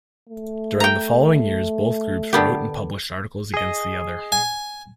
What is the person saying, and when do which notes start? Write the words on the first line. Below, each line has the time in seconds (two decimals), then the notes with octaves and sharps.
During the following years both groups wrote and published articles against the other.
0.29 A3
0.80 G5 A#5
2.33 D3 B3 G4
3.54 G#4 D#5
4.32 G#5